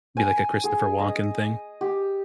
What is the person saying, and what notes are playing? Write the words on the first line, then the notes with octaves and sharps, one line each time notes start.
be like a Christopher Walken thing.
G#5
G#4
D#5
G4